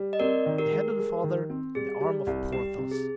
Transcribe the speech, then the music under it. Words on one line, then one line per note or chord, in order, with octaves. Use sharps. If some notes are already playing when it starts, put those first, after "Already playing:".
The head of the father, and the arm of Porthos.
Already playing: G3
D#5
C4 A#4 D5
D#3
G4 A#4
G#3
G#3
D#3
C4
G3 G#4
G3
C2
G3 G4
C3
G#4